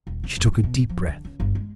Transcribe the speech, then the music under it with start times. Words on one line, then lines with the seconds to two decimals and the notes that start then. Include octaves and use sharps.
She took a deep breath.
0.07 D#1
0.24 C3
0.37 F1
0.52 D2
0.63 B2
0.76 G#2
0.89 F3
1.08 D3
1.25 C#2
1.40 G1
1.55 G#3